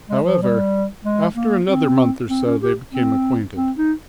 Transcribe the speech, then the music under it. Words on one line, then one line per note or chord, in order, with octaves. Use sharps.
However, after another month or so they became acquainted.
G#3
F3
G3
G#3
A#3
C4
C4
C#4
G4
C4
C4
D#4